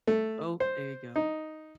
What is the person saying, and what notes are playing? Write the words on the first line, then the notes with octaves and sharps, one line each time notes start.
Oh, there you go.
A3
C5
D#4